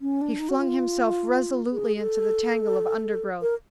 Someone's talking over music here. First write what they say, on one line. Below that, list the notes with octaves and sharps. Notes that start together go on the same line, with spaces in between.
He flung himself resolutely into the tangle of undergrowth.
C#4
D4
D#4
F#4
F4
G#4
G#4
A4
A#4